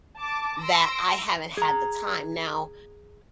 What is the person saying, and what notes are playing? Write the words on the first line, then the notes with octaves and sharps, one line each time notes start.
that I haven't had the time. Now
A5 D6
C6 E6 A#6 D7
G#4 A#5